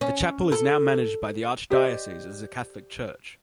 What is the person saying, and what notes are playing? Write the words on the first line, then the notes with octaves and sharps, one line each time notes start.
The chapel is now managed by the Archdiocese as a Catholic church.
C#4
A4
G4 C5 D5 D#5